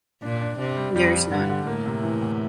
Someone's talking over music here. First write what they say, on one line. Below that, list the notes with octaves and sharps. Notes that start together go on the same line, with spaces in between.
There is none.
A#2 D4
D4
C3 D4
G3
F2 G3
G3
G2 D3
D3
A2 A#3
C3
E3
E2